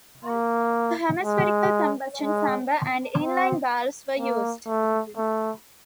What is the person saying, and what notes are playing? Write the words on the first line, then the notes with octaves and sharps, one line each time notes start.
A hemispherical combustion chamber and in-line valves were used.
A#3
G#3
G#3
C4
A#3
A3
A3